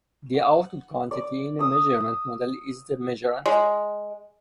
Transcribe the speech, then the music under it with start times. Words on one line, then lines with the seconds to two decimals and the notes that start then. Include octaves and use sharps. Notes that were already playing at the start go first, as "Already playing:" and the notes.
The output quantity in a measurement model is the measurand.
0.34 F#5
1.11 D5
1.59 D#6 E6
3.46 G#3